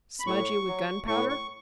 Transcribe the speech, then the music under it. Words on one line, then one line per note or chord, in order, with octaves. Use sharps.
Smudgy with gunpowder?
B5
A2 C#6
F#3
A2 C#6
C#6